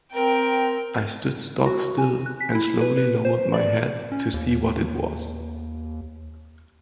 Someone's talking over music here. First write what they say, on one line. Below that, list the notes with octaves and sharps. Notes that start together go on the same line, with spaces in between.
I stood stock-still and slowly lowered my head to see what it was.
C4 A#4 G5
F#4
G#5
F#6
B6
E4
B4
B4
C5
D5
C#4
D#2